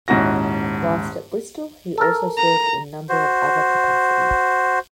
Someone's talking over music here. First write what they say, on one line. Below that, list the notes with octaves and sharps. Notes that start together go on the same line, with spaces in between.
Whilst at Bristol, he also served in a number of other capacities.
D#1 G#2 C#4 E4 F#4 A#6
A4 A#4
A#5
F#4 C5